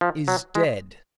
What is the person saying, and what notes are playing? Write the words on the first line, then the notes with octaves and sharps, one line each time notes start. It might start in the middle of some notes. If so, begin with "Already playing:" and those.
"Is dead."
F3
F#3
G#3